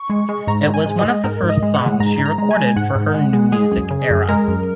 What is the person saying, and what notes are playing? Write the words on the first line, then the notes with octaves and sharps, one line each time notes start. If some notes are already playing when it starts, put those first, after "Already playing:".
It was one of the first songs she recorded for her "new music era".
Already playing: C#6
G#3
G#3
G#2 A#5
G#2
G#5
G#3
D#5
G#3
G#2 A#4
G#2
D#5
G#3
F#5
G#3
G#2 A#5
G#2
A#5
G#3
G#5
G#3
G#2 F#5
G#2
G#3
G#3
G#3 G#4
F#2
C#3
F#2
G#3 A#4
F#2